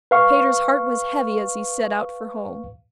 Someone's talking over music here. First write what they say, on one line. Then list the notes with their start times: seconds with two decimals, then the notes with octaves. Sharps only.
Peter's heart was heavy as he set out for home.
0.11 B4 F5 C#6